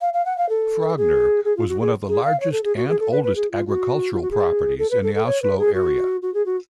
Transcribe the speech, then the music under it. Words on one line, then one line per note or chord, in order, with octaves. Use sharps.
Frogner was one of the largest and oldest agricultural properties in the Oslo area.
F5
F5
F#5
F5
A4
G#4
G#4
F4
F#4
G#4
G#4
F5
C#5
A4
G#4
F#4
G#4
A4
B4
B4
G#4
F4
F#4
F4
F#4
G#4
A4
B4
A4
A4
C#5
B4
G#4
F#4
F#4
G#4
F#4